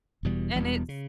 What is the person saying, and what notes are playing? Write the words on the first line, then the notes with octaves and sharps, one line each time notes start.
And it's
E1 E2 B2 G3
E1 E2 B2 G3
C#3